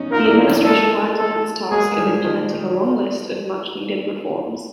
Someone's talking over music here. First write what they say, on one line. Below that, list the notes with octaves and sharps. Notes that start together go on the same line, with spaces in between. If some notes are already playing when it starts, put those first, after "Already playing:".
The administration worked on its task of implementing a long list of much-needed reforms.
Already playing: C#4 D#4
D#4 F4 A#4
D4 E4
D#4 F4
D4 E4
G#3 A#3 A4
A4
G#3 A#3 G#4
G#3
F3 G3
D#3 F3